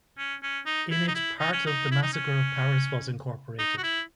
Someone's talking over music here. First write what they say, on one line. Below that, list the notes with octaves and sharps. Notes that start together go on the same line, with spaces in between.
In it part of the Massacre of Paris was incorporated.
C#4
C#4
D#4
E4
D#4
E4
D#4
C#4
D#4
E4
D#4
C#4
D#4
F#4
E4